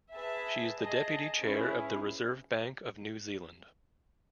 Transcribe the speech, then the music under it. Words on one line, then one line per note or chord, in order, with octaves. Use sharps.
She is the deputy chair of the Reserve Bank of New Zealand.
G#4 B4 E5 A5
G#4 D#5 A5
C#4 E4 G#4 B4